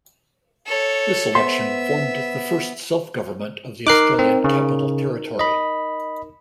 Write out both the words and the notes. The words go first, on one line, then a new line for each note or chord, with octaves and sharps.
This election formed the first self-government of the Australian Capital Territory.
A4 C#5
B3 C5 E5 C6
D#4 A#4 D6 F#6 C7
C4
C#3
D#5 B5